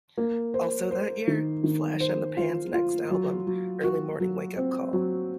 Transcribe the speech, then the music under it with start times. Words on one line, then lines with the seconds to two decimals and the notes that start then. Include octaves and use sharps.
Also that year, Flash and the Pan's next album, "Early Morning Wake Up Call".
0.18 A#3
0.54 C5
0.91 C5
1.28 D#3
1.64 D#3
2.00 C5
2.37 F4
2.74 F4
3.10 F#3
3.47 F#3
3.84 F#4
4.20 F#3
4.57 C4
4.93 F#3